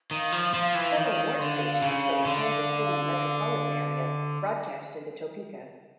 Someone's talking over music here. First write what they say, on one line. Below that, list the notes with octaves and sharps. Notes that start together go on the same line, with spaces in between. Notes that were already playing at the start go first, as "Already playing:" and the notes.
Several more stations from the Kansas City metropolitan area broadcast into Topeka.
D#3 F5
F3
F3
E3
D#3
D3
C#3
D3